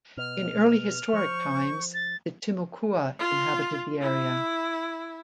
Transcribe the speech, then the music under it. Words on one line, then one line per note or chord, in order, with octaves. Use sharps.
In early historic times, the Timucua inhabited the area.
B2 F6
F3 C#6 G6
A6
F4
E4